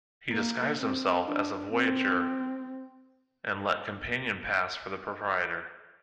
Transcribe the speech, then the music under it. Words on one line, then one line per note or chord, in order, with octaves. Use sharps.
He disguised himself as a voyageur and let Campion pass for the proprietor.
A#3
C4
D4
C4